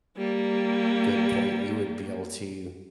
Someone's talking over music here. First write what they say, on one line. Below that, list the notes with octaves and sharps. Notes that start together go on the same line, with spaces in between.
good point, you would be able to
G3 A#3